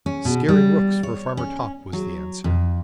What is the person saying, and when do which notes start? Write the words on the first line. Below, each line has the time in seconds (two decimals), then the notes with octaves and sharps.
'Scaring rooks for Farmer Topp,' was the answer.
0.06 C#4
0.25 B2
0.49 G3
1.03 C#5
1.37 C#4
1.93 F#3
2.44 F2